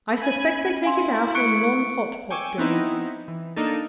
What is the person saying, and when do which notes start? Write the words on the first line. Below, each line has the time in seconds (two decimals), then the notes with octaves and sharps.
I suspect they take it out on non-hot-pot days.'
0.17 C#4 G#5 B5
0.84 E4 F5 G#5 C6
1.35 A3 C#6 F#6 C#7 D7
2.30 G5 G#5 C#6 D6 E6
2.58 B3 C4 D#4 E4
3.28 E3
3.56 A#3 D4 D#4 A4